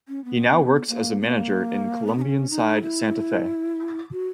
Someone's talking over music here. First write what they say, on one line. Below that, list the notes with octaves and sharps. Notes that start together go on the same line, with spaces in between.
He now works as a manager in Colombian side Santa Fe.
C#4
B3
A#3
B3
A#3
B3
D#4
C#4
D#4
E4
F#4